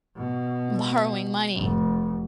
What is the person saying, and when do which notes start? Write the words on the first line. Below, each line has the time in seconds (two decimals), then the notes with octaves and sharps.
borrowing money
0.16 B2
1.56 F1